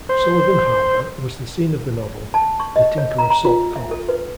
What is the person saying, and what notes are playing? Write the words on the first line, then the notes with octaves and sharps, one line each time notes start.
Sullivan Harbor was the scene of the novel "The Tinker of Salt Cove".
C5
A5
C#6
D#5
C#5
A#5
A#5
F4
E5
A4
B4